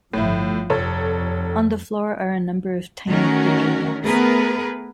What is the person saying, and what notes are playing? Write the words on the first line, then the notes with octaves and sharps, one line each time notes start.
On the floor are a number of tiny craterlets.
G1 A2 F3 E4
F1 F2 A4 C#5
D#3 A3 C#4 F#4 A#4
A3 B3 G#4 A#4 B4